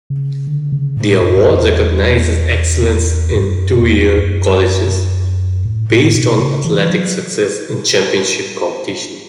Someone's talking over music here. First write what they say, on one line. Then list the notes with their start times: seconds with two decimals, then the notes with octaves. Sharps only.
The award recognizes excellence in two-year colleges, based on athletic success in championship competition.
0.10 C#3
0.47 D3
0.72 C#3
0.97 A2
1.22 F#2
1.37 G2
1.48 F#2
1.59 E2
3.32 G2
3.43 F#2
3.81 E2
4.18 F#2
5.65 A2
5.90 A2
6.15 B2
6.40 C#3
6.64 E3
6.90 F#3